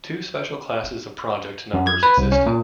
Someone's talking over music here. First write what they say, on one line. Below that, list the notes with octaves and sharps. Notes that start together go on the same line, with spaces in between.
Two special classes of project numbers existed.
F#2
G#6
B4
C2
C#4
A#2